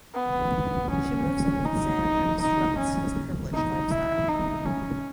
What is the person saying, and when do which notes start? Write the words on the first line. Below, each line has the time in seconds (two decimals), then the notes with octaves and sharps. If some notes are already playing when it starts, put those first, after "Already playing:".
She moves in with Zand and disrupts his privileged lifestyle.
0.14 B3
0.90 C#4
1.66 D#4
2.41 D#4
2.78 C#4
3.54 D#4
3.92 E4
4.29 D#4
4.66 C#4